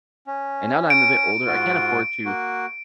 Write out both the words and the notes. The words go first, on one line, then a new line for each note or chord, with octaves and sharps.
and now that I'm a bit older, I can't afford to
C#4
D7
G#2 F4 F#4
A#3 F#4